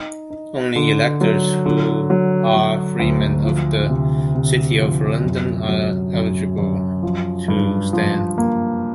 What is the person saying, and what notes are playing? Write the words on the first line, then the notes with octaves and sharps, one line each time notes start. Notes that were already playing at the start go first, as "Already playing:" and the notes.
Only electors who are Freeman of the City of London are eligible to stand.
Already playing: D#4
D#4
D3
F#3
D3
F#3
F#3
D2
F3
C3
C3
F3
F#2
F#3
F#2
F#2
F3
G2
F3
A#3